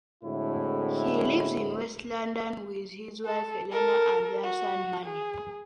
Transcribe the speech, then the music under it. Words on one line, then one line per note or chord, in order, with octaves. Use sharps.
He lives in west London with his wife Helena and their son Manny.
A2 D3 G#3 C4 E4 F#4
A4
A4 A#4
F#4
G#4